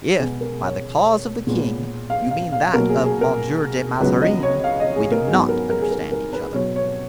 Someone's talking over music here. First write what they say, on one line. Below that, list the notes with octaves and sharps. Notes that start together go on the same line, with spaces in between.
"If by the cause of the king you mean that of Monsieur de Mazarin, we do not understand each other."
B2 G#3 B3 G#4
A#4
C#5
A#2 G#3 B3
F5
F5
F5
B2 F#3 A#3 A#4
G#4
G#4
A#4
C#2 C#3 F#3 B3 B4
D#5
C#5
F5
D#5
G#4
A#4
G#2 F#3 B3 G#4
A#4
A#4
G#4
A#4
A#4
B4
B2 F#3 B3 C#5
C#5